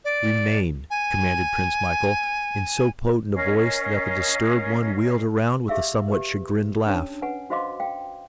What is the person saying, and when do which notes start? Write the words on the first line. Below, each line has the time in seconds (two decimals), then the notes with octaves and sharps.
"Remain!" commanded Prince Michael, in so potent a voice that the disturbed one wheeled around with a somewhat chagrined laugh.
0.05 D5
0.90 G#5
3.34 C#4 A#4 D#5 F5
5.68 G4 G#4 E5 F5 E6
6.08 G4 B4
6.86 C#4 D4 C#5 A5
7.22 B4 F#5 G#5
7.50 F#4 C5 D#5 F5 C6 D6
7.80 F5 G5